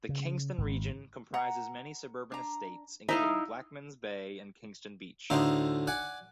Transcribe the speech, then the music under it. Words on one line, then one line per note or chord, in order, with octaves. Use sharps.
The Kingston region comprises many suburban estates, including Blackmans Bay and Kingston Beach.
C#3
G#1
F#5 A#5
D4 A#5
D#4 E4 E5 F5 A#5
D2 A2 D3 D#4 C6
D5 F#5 G#5